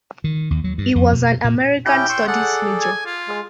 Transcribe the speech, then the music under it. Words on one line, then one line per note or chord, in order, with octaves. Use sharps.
He was an American Studies major.
D#3
D#2
F#3
G2
F2
B2
A#2
C#4 E4 G4 G5
C6 C#6 E6
G#4 A4 D5 F#5
G#5
F4
G#3